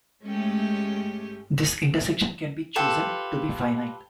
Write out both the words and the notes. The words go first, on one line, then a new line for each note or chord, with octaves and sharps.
This intersection can be chosen to be finite.
G#3 A3 C#4 G4
F4 G4 A4 B4